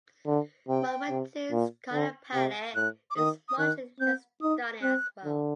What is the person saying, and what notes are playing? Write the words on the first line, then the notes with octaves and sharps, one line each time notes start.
Malfatti's color palette is much less stunning as well.
D3
C3 G5
C3
A#2
D3
C3 G5
A2 F#6
D6
D#3 D#6
D#6
D#3 F#6
C4 G6
D#4 D#6
C4 F#6
D3